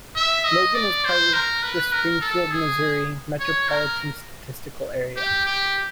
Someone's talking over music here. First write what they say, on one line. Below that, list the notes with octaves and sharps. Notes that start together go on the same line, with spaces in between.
Logan is part of the Springfield, Missouri Metropolitan Statistical Area.
E5
D#5
D5
C5
A#4
B4
A#4
A4
G#4
C#5
A#4
G4
G4